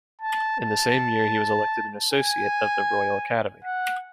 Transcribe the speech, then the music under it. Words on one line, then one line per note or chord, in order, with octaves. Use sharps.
In the same year he was elected an associate of the Royal Academy.
A5
A5
G#5
F#5